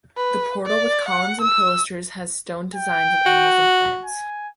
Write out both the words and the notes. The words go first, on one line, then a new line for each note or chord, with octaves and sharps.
The portal with columns and pilasters has stone designs of animals and plants.
B4
D5
F#5
E6
G5
F#4
G#5